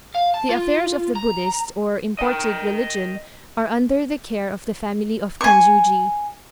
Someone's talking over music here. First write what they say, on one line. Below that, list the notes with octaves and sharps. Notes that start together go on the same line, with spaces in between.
The affairs of the Buddhist or imported religion are under the care of the family of Kanjuji.
F5
A5
F4
A#5
D#5 G5
G#5 C#6